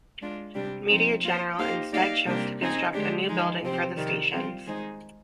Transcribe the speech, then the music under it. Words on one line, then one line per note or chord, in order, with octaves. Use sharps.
Media General instead chose to construct a new building for the stations.
G#3 D4 F4
C3 G3 D4 G4
F3 C4 D#4
A#3 F4 C5
A#3 D#4 G4 C5 F5
A#3 D#4 G4 D5 F5
C3 G3 A#3 D4 G4
C4 D#4 G#4 D#5
D3 G#3 D4 G4
F3 G#3 D#4
C3 F3 C4 G4 C5
C3 D#3 G3
G3 C4 F4
D#3 G#3 D#4 G#4 C5